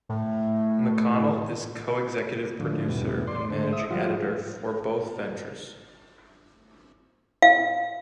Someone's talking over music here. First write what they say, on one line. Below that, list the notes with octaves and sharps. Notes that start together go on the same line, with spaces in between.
McConnell is co-executive producer and managing editor for both ventures.
A2
A2 D3 F3
E2 G2 B2
D5 C6
D3 A3 C5
E5 D#6
F3 G3 F4 F#4
F5